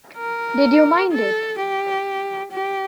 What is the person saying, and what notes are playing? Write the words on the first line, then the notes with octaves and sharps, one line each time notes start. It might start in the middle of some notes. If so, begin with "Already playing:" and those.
Did you mind it?
A#4
A4
G4
G4